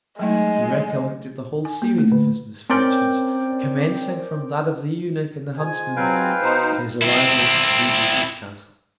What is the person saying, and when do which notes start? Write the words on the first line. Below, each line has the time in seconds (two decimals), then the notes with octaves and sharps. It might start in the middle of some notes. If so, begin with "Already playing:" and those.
He recollected the whole Series of his Misfortunes; commencing from that of the Eunuch and the Huntsman, to his Arrival at the Free-booter's Castle.
0.19 F#3 G#3 A3 D#4
1.65 G#5
1.82 A#3
1.98 A3
2.12 D3
2.70 C4 C#4 A#4 D5 G5
5.57 G#2 F4 G#5
5.96 F#3 C4 B4 F5 G5
6.42 B2 D#4 C5
7.02 C4 E4